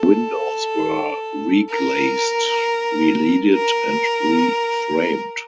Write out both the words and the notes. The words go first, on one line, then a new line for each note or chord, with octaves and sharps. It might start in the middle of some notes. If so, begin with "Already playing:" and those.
The windows were reglazed, releaded and reframed.
Already playing: A4
A#4
A#4